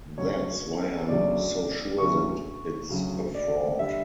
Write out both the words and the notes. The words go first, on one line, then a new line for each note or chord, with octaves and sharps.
That's why I'm so sure that it's a fraud.
D2 C#3 F#3 C#5
D2 C#3 F#3 D5
D2 C#3 F#3 C#6
D2 C#3 F#3
D5
D3 G3 E5